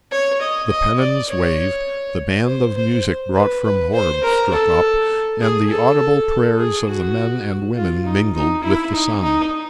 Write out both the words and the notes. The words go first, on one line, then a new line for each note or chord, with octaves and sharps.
The pennons waved, the band of music brought from Horb struck up, and the audible prayers of the men and women mingled with the sound.
C#5
D#5
D#5
D5
C#5
C5
C5
B4
B4
C5
A#4
A4
G#4
A4
G#4
F#4
F4
D#4
D#4
E4
D#4
D#4